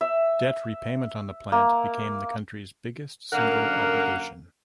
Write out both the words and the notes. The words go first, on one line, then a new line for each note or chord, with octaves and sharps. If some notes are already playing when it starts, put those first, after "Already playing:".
Debt repayment on the plant became the country's biggest single obligation.
E5
A#3
F#2 D3 A#3 A#4 F#5